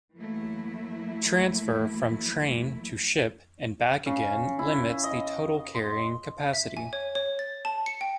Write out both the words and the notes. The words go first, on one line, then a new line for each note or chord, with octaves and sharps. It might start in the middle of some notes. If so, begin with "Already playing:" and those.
Transfer from train to ship and back again limits the total carrying capacity.
E3 F#3 A3 A#3 E4
C#3
E4
D#5
C6
E5
G#5
C#5
C#5
A6
A5
C#7
G5